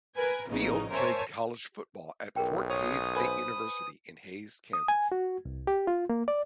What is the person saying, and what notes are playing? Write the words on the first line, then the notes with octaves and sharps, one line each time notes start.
Field played college baseball at Fort Hays State University in Hays, Kansas.
A#4 B4 G#5
A1 E2 C#3 F3 D#4
A#4 C5 C#5 E5 G#5 A5
B1 G#4 A#4 G5
C#5 D#6
B4 C5 G#5
D#6
G#5
F#4
C2
G4
F4
A#3
D5